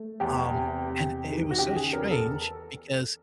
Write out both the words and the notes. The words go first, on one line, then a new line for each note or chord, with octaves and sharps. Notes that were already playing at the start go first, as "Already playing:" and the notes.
Um, and i it was so strange because
Already playing: A3
E2 G4
C3
E2
D#3
F#4
C#3 G4
G#4
E2 A#4
A4